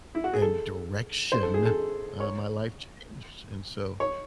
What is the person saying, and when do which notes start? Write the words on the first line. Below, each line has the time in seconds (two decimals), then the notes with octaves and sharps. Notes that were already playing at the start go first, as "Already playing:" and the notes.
and direction, uh my life changed, and so,
0.15 E4
0.24 F#4
0.33 G#4
0.42 A4
1.32 C5
1.43 A4
1.54 G#4
1.65 A4
2.20 C#5
4.00 C#5